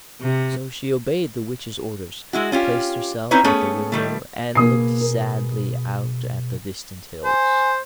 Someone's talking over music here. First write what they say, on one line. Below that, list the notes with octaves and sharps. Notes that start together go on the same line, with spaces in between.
So she obeyed the Witch's orders, placed herself at the window, and looked sadly out at the distant hills.
C3
G#3 E4 F#4
C#4 F4 G4
C4 C#4 D#4 E4 B4 C#5
A3 B3 C#4 G#4 A4 C#5
D#3 G3 A3
B2 A#3 G#4 D#6 C7
A#4
C5 G#5